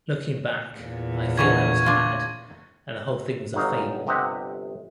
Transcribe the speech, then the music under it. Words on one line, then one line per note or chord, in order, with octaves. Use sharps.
Looking back, I feel I was had and the whole thing was a fable.
E2 A#2
D3 E3 F3 C#6 G#6
D4 F4
G1 F#3 D#4 F5
G1 C3 G4 D#5 E5 F#5